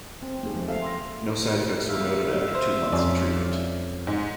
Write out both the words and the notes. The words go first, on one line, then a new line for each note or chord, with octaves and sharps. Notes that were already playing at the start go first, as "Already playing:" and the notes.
No side effects were noted after two months of treatment.
C4
D#2 G#3
F3 A3 C4
A4 C5 E5 F5
C6 E6 A#6
E5 F5
C5
F2 C#4 D5
G#2